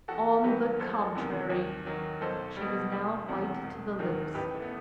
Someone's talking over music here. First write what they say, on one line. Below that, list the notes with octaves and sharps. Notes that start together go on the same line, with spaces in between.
"On the contrary!" She was now white to the lips.
E2 F#4 A4
D#3 F#3 G4 B4
F#1 A4 C5
E2 C3 D#3
D#2
D#3 F#3
B1 A4 C5
B2 G3
E1
E2 C3
E1
D#2 D#3 F#3
A1 G4 B4
A3
B3